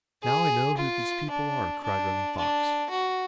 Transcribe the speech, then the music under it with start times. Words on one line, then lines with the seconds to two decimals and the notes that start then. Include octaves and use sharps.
"Now I know who these people are," cried Running Fox.
0.23 G#4
0.77 F4
1.30 D4
1.83 D4
2.37 D4
2.90 F#4